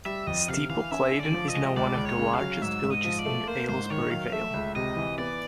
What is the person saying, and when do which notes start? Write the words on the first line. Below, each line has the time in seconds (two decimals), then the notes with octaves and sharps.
Steeple Claydon is now one of the largest villages in the Aylesbury Vale.
0.05 G3 E5
0.27 F2 D#5
0.48 C3 F5
0.69 E3 F5
0.91 C#4 E5
1.12 D3
1.19 D5
1.34 F3
1.48 D#5
1.55 G#3
1.77 C#2 D5
1.97 C#2
2.05 C#5
2.19 C#3
2.33 F5
2.41 F#3
2.62 G#2 E5
2.84 G#2
2.90 D#5
3.04 F3
3.19 D5
3.26 A3
3.47 A#3 C5
3.69 G#2 C5
3.90 D#3 C#5
4.12 F#3 F5
4.33 A3 E5
4.54 C#2
4.76 C3 D#5
4.97 E3
5.18 B3 D5